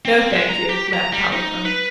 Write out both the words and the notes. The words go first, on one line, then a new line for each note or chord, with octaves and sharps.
"No, thank you," laughed Polychrome.
C4
G#3
A#5
G4
A#5
G3
D#4
B4